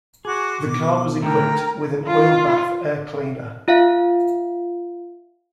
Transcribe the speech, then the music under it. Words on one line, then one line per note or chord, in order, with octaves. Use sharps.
The car was equipped with an oil bath air cleaner.
F#4 G#4 C6 D6
B2 D6
D3 A3 A#4 G5 A#5
F4
F4 E5 F5